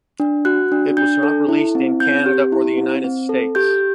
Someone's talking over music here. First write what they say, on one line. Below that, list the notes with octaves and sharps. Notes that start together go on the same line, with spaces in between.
It was not released in Canada or the United States.
D4
F#4 F#6
D4
D4 G6
A4
E4
C4
C4 G6
G4
E4
C4
C4
A4
G4 G6